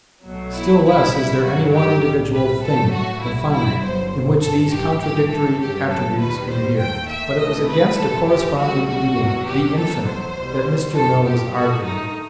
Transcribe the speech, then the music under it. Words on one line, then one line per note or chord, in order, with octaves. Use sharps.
Still less is there any one individual thing, "The Finite," in which these contradictory attributes inhere. But it was against a corresponding being, "The Infinite," that Mr. Mill was arguing.
B1 B2 F#3 A3
E4
C2 B2 G3 E4
E4
A1 G2 D#3 F#3 F#4
G4
B1 A2 G3
B4
A1 A2 F#3 A3 A4
F#4
C2 B2 G3 E4
E4
G1 G2 F#3 C5
A1 G2 D#3 A4
G4
G2 E3 A3 G4
A4
G2 F#3 A3 G4
A4
D#2 D#3 G3 B4
C5
D#2 D#3 A3 G5
E5
C2 C3 E3 A3 D#5
B4
F#2 E3 A3 A4
G4
B1 A2 G3 F#4
F#4
E2 B2 F#3
G4
E2 B2 F#3 A3 A4
C5
C2 B2 G3
F#2 D#3 G3 A4
G4
G2 D#3 A3 F#4
D#4